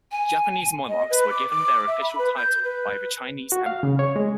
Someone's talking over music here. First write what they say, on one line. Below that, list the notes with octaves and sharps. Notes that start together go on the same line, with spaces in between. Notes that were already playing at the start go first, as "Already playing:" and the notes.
Japanese monarchs were given their official title by the Chinese emperor.
G#5
D#5
B4
D6
D6
E5
B5
B4
G6
B4
F#4
F5
C#3
C#5
G#3